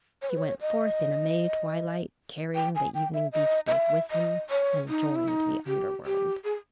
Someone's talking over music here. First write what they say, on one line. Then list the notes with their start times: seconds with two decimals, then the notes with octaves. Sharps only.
He went forth in a May twilight, carrying the evening beefsteak with him, and joined the underworld.
0.22 C#5
0.30 B4
0.37 C#5
0.61 D#5
2.55 G5
2.75 G#5
2.94 G5
3.14 E5
3.33 D#5
3.67 D#5
3.72 E5
4.11 D#5
4.50 C#5
4.88 D#4
5.16 E4
5.28 D#4
5.67 G4
6.06 G4
6.44 G#4